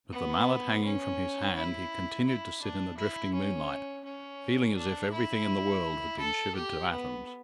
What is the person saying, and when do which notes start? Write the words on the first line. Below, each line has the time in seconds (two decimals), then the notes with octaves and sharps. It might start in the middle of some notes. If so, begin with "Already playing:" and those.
With the mallet hanging from his hand he continued to sit in the drifting moonlight, feeling as if everything in the world had been shivered to atoms.
0.12 B3
0.85 C#4
1.56 E4
2.27 E4
2.62 D4
2.98 E4
3.34 C#4
4.05 C#4
4.77 D4
5.12 E4
6.20 A4
6.56 G4
6.91 B3